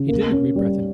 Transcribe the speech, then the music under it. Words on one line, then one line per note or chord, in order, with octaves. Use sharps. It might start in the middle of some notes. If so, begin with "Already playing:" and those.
"He did," agreed Breton.
Already playing: C#3
A#3
C#4
G3